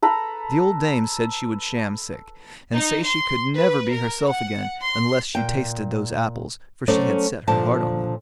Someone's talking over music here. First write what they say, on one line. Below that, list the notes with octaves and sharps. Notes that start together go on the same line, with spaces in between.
The old dame said she would sham sick, and say she could never be herself again unless she tasted those apples; for she had set her heart on them.
A4 B4 A#5
D#4
C6
B4
A#4
F#5
C6
A#2 G5
F#3 A3 C#4 A4 C5 D5
A#2 D3 F3 A5